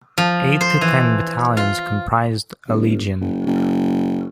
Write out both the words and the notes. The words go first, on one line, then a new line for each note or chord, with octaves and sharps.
Eight to ten battalions comprised a "legion".
F3
C5
E3
F4
G1
F#1
F#1